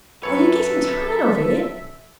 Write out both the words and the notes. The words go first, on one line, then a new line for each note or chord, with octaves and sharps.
Are you getting tired of it?'
F#2 A4 B4 C#5 E5